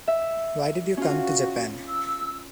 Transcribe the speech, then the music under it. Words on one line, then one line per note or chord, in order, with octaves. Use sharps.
Why did you come to Japan?
E5
C#4 F4 F#4
E6